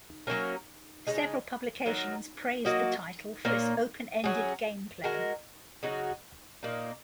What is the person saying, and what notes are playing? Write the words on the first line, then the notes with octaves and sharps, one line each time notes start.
Several publications praised the title for its open-ended gameplay.
F#3 A#3 C#4 A#4
C#3 G#3 D#4
D#3 F#3 D#4 A#4
F#3 A#3 F#4 D#5
A#2 A#3 C#4 A#4
F#3 C#4 G#4
G#3 F#4 A#4
C#3 F#3 D#4 F#4
A#2 A#3 D#4